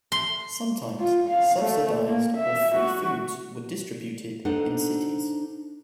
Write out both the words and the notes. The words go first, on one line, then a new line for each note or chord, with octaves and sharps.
Sometimes, subsidized or free foods were distributed in cities.
C6
F4
F5
A3
A#3
E5
F#4
D4 D#4 A4 C5 F#5